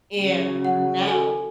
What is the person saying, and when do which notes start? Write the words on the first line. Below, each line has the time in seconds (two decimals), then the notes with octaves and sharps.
and now,
0.20 C#3 F#3
0.65 F#5
1.06 F#4 A4 G#5